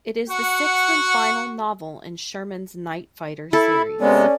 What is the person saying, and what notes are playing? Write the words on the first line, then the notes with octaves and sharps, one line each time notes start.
It is the sixth and final novel in Sherman's Night Fighter Series.
F#4 F#5
E4 A4
C3 G#3 B3 C#4 D5